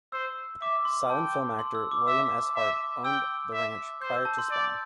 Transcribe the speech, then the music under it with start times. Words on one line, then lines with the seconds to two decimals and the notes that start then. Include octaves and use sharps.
Silent film actor William S. Hart owned the ranch prior to Spahn.
0.12 C5 E6
0.61 E5 D6
0.85 C6
1.10 G5 A5
1.59 C6
1.75 E6
1.91 D6
2.07 E5 E6
2.56 E5
3.04 G5 E6
3.53 E5
4.02 C5 G6
4.14 E6
4.25 A5
4.38 C6
4.51 D5